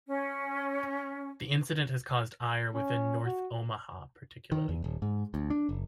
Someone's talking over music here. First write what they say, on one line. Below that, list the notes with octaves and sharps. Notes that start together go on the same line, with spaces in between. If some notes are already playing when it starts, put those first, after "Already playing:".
The incident has caused ire within North Omaha particularly.
C#4
C#4
F#4
D#3
E2
D#1
G#2
D2
D4
F#1